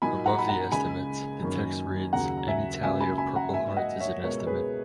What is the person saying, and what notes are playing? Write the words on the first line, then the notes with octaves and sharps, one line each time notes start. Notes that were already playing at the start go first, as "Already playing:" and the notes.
Above the estimates, the text reads, Any tally of Purple Hearts is an estimate.
A#2 F#3 A#3 D#4 G#5 B5
F#5 A#5
B5
F#5 A#5
C#2 C#3 G#3 G#5 B5
F#2 D#3 A#3 C#4
D#2 C#3 F#3 F#5 A#5
A#5
E5 G#5
C#2 C#3 F#3 A#3 C#4 E5 G#5
G#5 B5
G#5 B5
F#5 A#5
G#2 F#3 A#3 E5 G#5
D#5 F#5
C#5 E5
C#2 B2 G#3 B3 A#4 C#5
G#4 B4